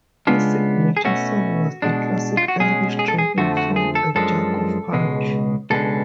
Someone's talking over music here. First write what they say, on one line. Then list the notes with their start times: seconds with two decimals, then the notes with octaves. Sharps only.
His signature song was the classic Irish drinking song, A Jug of Punch.
0.27 C#3 G#3 B3 D4 F4
0.97 G#4
1.05 B2 A3 C#4 F#4
1.82 B2 G#3 D4
2.37 F4
2.48 F#4
2.60 B2 G#3 C#4 G#4
2.99 G#4
3.08 A4
3.18 G#4
3.37 F2 D3 F3 A3 F#4
3.57 F#4
3.76 G#4
3.95 A4
4.15 F#2 F3 G#3 D4 A4
4.93 C#2 B2 G#3
5.70 C#2 B2 G#3 D4 A4